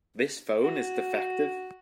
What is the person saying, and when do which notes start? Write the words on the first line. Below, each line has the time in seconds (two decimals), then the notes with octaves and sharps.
This phone is defective.
0.64 F#4